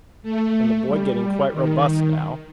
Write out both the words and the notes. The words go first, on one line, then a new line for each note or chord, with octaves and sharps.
And the boy getting quite robust now!
A3
G3
D#3